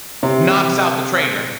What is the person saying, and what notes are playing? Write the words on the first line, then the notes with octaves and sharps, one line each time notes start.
knocks out the trainer,
C3